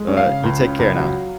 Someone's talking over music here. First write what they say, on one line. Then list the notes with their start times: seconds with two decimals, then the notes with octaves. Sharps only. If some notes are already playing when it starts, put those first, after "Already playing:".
But, you take care now.
Already playing: G#3
0.08 C#4
0.17 F5
0.27 C#3
0.44 C#2
0.61 C#3
0.79 C#2
0.96 F#3